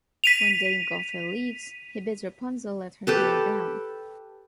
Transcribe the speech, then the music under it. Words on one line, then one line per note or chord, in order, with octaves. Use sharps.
When Dame Gothel leaves, he bids Rapunzel let her hair down.
B6 D#7 F7
G4 A4 B4